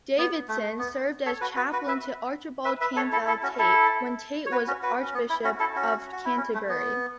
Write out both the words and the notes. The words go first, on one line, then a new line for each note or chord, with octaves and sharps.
Davidson served as chaplain to Archibald Campbell Tait when Tait was Archbishop of Canterbury.
B3
A3
B3
A4 C#5
F#4 B4
F#4 B4
F#4 B4
B4 E5
B4 E5
B4 E5
A4 C#5
E4 A4
E4 A4
C#4 F#4
E4 A4
C#5
F#4 B4
C#4 F#4
F#4 B4
C#4
B3
E4
C#4 F#4
E4 A4
C#4 F#4
F#4
E4
C#4
A3
B3